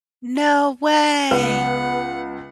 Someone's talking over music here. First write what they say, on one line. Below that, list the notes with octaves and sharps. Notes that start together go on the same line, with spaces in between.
No way.
C#2 B3 B4 F#5